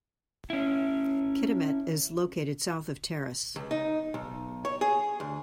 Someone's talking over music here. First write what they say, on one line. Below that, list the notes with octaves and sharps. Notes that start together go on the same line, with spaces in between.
Kitimat is located south of Terrace.
C#4 E4
C#2
D#4
B1
C#5
G#4
D2